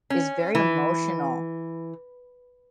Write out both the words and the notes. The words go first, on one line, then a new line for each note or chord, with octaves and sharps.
is very emotional
C#4
E3